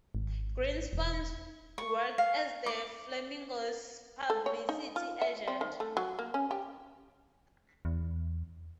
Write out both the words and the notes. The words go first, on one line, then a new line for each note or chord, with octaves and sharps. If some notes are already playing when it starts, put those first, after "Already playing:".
Greenspun worked as the Flamingos's publicity agent.
G#1
E1
C#6
F5
D6
A4
C#5
D#4
F4
E5
C4
D#3
A3
F#3
A#3
C#4
G4
E2